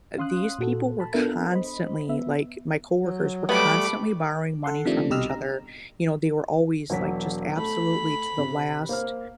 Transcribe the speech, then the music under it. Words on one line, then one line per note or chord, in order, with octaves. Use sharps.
uh, these people were constantly like, my coworkers were constantly borrowing money from each other. You know, they were always, like, just absolutely to the last,
C#4 F5 C6 D#6 F#6
A#2 F#4 A4
A5 B5
B3 D4 F4 A4 A#4 E5
C5 D#5 B5
B3 E5
F#3
G3 A3 B3 B5 D6
A4 F#5 C6
C3 D#3 F3 A3 D4
C2 B2 G4 D#5 E6 F6
A#5
E1 F#3 B6
A3 B5
C3
A#3 C5 F6